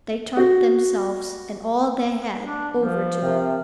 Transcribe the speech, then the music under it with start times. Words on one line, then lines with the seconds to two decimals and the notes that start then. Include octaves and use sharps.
They turned themselves and all they had over to her.
0.37 F#4
2.41 D4
2.76 F3
3.22 C3 A#4 E5 G5